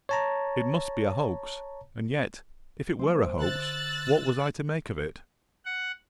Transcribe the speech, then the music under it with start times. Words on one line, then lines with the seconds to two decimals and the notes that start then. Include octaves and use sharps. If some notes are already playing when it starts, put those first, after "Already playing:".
It must be a hoax, and yet, if it were a hoax, what was I to make of it?
0.09 C#5 A5 A#5
2.99 F#3 A3 B3 C5 E5
3.41 D3 E6 F#6 A6
5.65 F#5